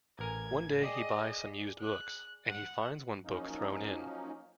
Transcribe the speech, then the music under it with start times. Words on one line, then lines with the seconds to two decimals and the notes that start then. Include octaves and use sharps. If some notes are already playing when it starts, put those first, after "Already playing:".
One day, he buys some used books, and he finds one book thrown in.
0.19 A1 A#4 G#5 G#6
0.82 G#4 D5 D#5 G5
1.79 F#6
2.49 F#5
3.25 F3 F#3 A#3 C#4 D#4